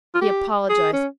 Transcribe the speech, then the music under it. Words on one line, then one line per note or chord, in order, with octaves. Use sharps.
He apologized.
F4
G4
G#4
C#4